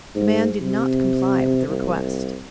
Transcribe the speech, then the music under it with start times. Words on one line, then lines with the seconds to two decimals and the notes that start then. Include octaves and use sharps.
The man did not comply with the request.
0.15 G#2
0.61 C3
1.67 C2